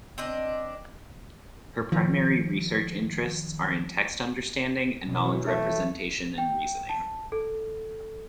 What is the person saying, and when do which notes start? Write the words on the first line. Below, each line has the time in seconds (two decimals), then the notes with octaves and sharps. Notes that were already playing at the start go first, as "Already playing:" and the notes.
Her primary research interests are in text understanding and knowledge representation and reasoning.
0.18 C4 D4 D#5
1.92 D#3 F3
5.06 B2 E3 F#3
5.47 A3
6.38 G5
6.89 A5
7.32 A4